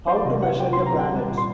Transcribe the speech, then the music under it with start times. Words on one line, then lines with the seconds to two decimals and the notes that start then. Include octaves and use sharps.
How to Measure a Planet?
0.07 F#3 C5
0.16 D5
0.25 C3 D#5
0.42 F#3 F#5
0.59 C3 G5
0.73 C6
0.77 F#3
0.86 A#5
0.94 C3 G5
1.12 G3
1.29 A#2
1.38 C6